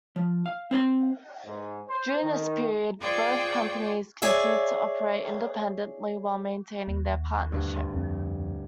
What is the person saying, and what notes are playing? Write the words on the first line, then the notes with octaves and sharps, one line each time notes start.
During this period, both companies continued to operate independently while maintaining their partnership.
F3
F5
C4 C5 B5 C6
G#2
C5
D#3
F4 G#4 C5 D5 G5 C#6
G#4 C#5 D5 E5
D#2
D2 G2
F2